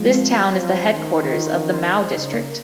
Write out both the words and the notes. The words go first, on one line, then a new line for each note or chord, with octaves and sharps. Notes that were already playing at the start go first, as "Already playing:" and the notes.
This town is the headquarters of the Mau district.
Already playing: F3 G#3
C4
C4
F3 C5
C#4
D#3 C5
C5
F4
C#4
C5
C5
C#3 D#4
A#3